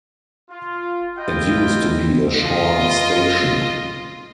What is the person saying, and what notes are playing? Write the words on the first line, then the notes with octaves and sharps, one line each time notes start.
It used to be a shore station.
F4
E4 F4 D#5 G5
F4 D#5